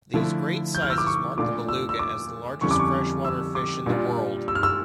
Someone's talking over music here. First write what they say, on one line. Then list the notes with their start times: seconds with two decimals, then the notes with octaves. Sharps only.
These great sizes mark the beluga as the largest freshwater fish in the world.
0.14 D3 F3 A3 E4
0.75 G6
0.82 F6
0.90 E6
0.98 D6
1.07 C#6
1.37 A#2 A3 D4 F4 D6
1.69 E6
1.89 E6
1.99 D6
2.61 F2 D3 G3 C#4 E4 C#6
2.71 D6
2.79 C#6
3.25 E6
3.55 D6
3.86 A#2 G3 D4 F4
4.48 E6
4.55 F6
4.63 E6